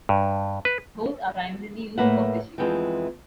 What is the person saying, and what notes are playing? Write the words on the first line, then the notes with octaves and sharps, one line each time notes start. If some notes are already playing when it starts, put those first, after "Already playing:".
Both are primarily used for fishing.
G2
B4
A2 A#3 B4 E5 F#5
F2 E3 G#3 B3 C4 G5